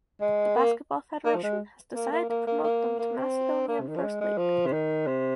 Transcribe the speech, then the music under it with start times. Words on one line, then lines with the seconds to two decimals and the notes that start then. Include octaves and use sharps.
The Basketball Federation has decided to promote them to Macedonian First League.
0.21 G#3
0.55 A#3
1.25 A#3
1.35 F3
1.43 G#3
1.95 A#3
2.12 A#3
2.29 A#3
2.47 A#3
2.64 A#3
2.99 A#3
3.16 C4
3.68 A#3
3.80 C3
3.88 D#3
3.96 F3
4.04 G#3
4.21 G#3
4.38 F3
4.66 C3
4.73 D#3
5.07 C3